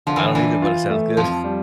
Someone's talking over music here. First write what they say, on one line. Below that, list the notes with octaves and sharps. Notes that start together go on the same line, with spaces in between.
I don't either, but it sounds good.
D3 F3
E3
E3 D4
F4
A3
F2 F3
G3